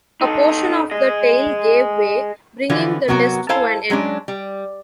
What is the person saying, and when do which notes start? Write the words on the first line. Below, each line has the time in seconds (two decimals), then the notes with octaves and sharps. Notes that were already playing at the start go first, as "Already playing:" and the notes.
A portion of the tail gave way, bringing the test to an end.
0.21 D#4 A4
0.91 G#4 D#5
2.69 D3 E3 F3 F4 F#4 B4
3.08 C3 F#3 B3 F#4 A#4
3.49 E4 A4 C5 F5 G#5 A5
3.90 F#3 G#3 C#4 D4
4.28 G3